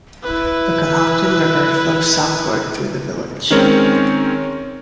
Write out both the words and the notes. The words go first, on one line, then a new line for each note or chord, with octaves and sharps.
The Conhocton River flows southward through the village.
E4 B4
D#3 G#3 C4 C#4 A#4 C#5